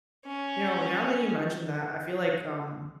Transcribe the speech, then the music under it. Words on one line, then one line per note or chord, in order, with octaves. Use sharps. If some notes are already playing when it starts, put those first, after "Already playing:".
you know, now that you mentioned that, I feel like, um
C#4